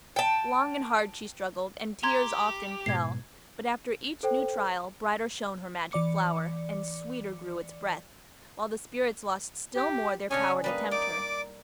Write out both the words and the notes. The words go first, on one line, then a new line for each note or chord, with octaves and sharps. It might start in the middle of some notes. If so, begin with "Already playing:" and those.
Long and hard she struggled, and tears often fell; but after each new trial, brighter shone her magic flower, and sweeter grew its breath, while the spirits lost still more their power to tempt her.
G5 A5
G4 A#5 C6 G#6
G#2 B2 G#6 C7
A4 C5 G5
E3 D5 D6 C#7
G4
C#3 C#4 D4 G#4 C#5 G#5
G3 A#3 B4 D#5
D#4 D5 D6